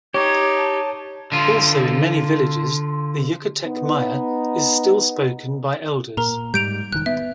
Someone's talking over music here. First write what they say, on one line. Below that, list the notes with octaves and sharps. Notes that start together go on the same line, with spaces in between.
Also in many villages the Yucatec Maya is still spoken by elders.
D#4 G4 C#5 G#6
A5
D3 F4
B3 D#4
A#2 A#4 A#5
G#2 G3 G6 D7 F7
E1 D#3 F#6
B3 E5